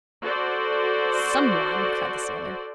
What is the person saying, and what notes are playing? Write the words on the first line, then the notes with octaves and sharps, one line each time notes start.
"Some one," cried the sailor.
F#4 A4 C5 D5